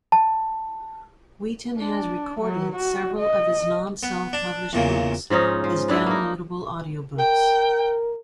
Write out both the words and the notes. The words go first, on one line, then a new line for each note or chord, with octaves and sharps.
Wheaton has recorded several of his non-self-published books as downloadable audiobooks.
A5
D4
F#3
F#4
D#5
B3
D4
E2 A#2 C#3
G#2 F3 C#4 D#4
F3
B3 D4 E4
A#3 D#4
A#4 G5